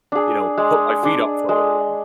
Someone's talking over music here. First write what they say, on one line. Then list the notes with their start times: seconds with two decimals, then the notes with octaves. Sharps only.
you know, put my feet up for a little while.
0.12 D4 G#4
0.58 G#3
1.03 D4 G#4
1.49 G#3